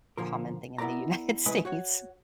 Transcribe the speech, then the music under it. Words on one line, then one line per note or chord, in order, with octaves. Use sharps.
common thing in the United States.
A#2 D3 F3 A#4
B3 E4 A#4 D5 A#5
C#3 G#3 E4 B4 D#5 G#5
F#4 C#5 F#5